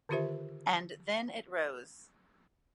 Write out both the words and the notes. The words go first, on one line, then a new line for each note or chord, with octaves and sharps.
And then it rose.
D3 D#3 F4 G4 C5 E5